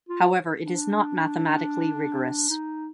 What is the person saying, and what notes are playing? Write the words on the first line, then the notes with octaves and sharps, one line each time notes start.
However, it is not mathematically rigorous.
F4
D4
D#4